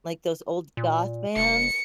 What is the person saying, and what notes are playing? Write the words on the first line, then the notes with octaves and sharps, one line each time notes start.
like those old goth bands.
A#2
E1 C#7